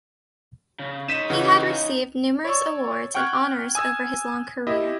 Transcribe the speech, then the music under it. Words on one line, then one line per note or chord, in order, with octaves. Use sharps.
He had received numerous awards and honours over his long career.
C#3
D#4 C#5 B6 D#7 E7
C#3 E3 F#5
C#5 D5 C#6 E6
F#5 G5 C#6 F6 F#6 G#6
G#5 D#6 E6 G#6
E4 G4 D#5 E5